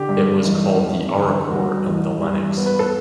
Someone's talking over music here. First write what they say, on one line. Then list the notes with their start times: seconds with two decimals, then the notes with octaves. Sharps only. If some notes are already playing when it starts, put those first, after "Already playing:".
It was called the "arachor" in the Lennox.
Already playing: D3 G4
0.09 G2
0.45 A1
0.80 A1
1.15 D3
1.50 G2 F#4
1.86 A1
2.21 G2
2.57 B3
2.66 B4
2.79 A4